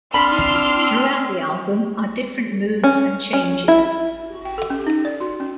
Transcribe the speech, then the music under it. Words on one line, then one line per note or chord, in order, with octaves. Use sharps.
Throughout the album are different moods and changes.
C4 D4 B5 C6 F6
C#4
C#4
E4
G5
A4
C#4
D#4
D5
F#4
C#4